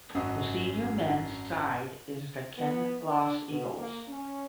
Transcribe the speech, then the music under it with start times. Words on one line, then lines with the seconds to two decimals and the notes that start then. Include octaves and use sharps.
The senior mens side is the Kinloss Eagles.
0.14 G#1 F#2 F#4 D#5 D#6
2.58 B3
3.05 D4
3.49 B2
3.79 A#3
4.08 C#4